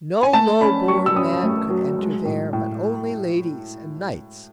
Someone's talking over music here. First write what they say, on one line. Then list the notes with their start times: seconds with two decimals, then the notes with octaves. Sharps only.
No low-born man could enter there, but only ladies and knights.
0.23 G#5
0.33 A3 A5
0.61 C#4 B5
0.88 F#3 C#6
1.06 E6
1.16 C#4 D#6
1.43 A3
1.70 F#3
1.99 G#3
2.25 A2
2.53 A2